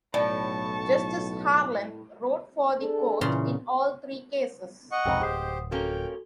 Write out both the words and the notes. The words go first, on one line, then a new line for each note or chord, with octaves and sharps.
Justice Harlan wrote for the Court in all three cases.
B1 A2 D5 A5 C#6
D4 G#4 A4
A#2 C#3 E3 C6
D#5 F#5 C#6
B1 F2 G#2 C3 D#4 G5 B5
D1 G#3 G4 C5 F#5 D#6 C7
F3 A#3 C#4 F#4 A4 G5 G7